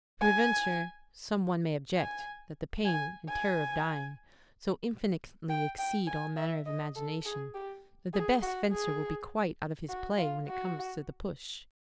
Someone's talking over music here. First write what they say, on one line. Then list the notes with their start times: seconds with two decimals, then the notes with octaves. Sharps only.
Peradventure, some one may object, that the pain and terror of dying so infinitely exceed all manner of imagination, that the best fencer will be quite out of his play when it comes to the push.
0.21 G#5
1.97 G#5
2.85 G#5
3.29 G#5
5.49 G5
5.79 G5
6.07 G#5
6.37 E5
6.66 D#5
6.96 A4
7.25 G#4
7.54 G4
8.13 G#4
8.42 F#4
8.72 G#4
9.89 F#4
10.18 F4
10.47 F#4